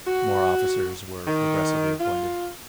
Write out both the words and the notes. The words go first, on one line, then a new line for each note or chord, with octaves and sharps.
More officers were progressively appointed.
F#4
D#3
F4